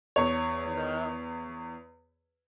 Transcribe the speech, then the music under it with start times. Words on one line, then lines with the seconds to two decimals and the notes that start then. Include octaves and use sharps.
No m
0.16 E2 C#5